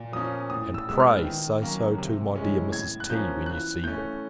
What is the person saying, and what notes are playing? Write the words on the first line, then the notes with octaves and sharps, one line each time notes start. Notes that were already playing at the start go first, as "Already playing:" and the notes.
And, pray, say so to my dear Mrs. T. when you see her.
Already playing: A#2
F3 A#3 C#4 D#6
A2 D#6
E6
F3 G#3 B3 E6
F6
D#3
F#3 A#3 C#4
C3
E3 G#3 C#4
A2 G#6
F#6
F3 A#3 C#4 G6
E3 F#6
A3 C#4 G6